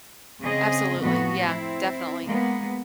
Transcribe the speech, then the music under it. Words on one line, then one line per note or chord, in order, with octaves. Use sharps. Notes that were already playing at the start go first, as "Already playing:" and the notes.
Absolutely, yeah, definitely.
C#3 C4 G#4 D#5
F2 A2 B3 F#4
C4 E4
G#3 A#3 B3